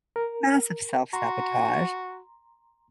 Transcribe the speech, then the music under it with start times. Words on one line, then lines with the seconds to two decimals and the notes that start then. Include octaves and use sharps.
massive self-sabotage.
0.16 A#4
1.13 F#4 A#5 C6